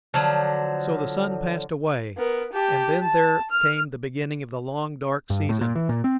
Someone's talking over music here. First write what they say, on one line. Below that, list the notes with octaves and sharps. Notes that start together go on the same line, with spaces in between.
So the sun passed away, and then there came the beginning of the long dark season.
D3 F3 F#3
B3 A#4
G4 A5
A5
F6
G2
A2
A#2
E3
A#2
C4